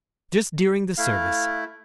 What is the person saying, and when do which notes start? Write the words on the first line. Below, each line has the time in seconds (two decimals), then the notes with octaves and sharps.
Just during the service.
0.98 A3 E4 F5